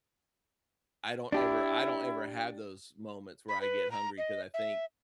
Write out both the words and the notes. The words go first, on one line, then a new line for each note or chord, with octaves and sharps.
I don't ever I don't ever have those moments where I get hungry, 'cause I think,
D4 E4 G4
B5
B4
A#5
D#5
E5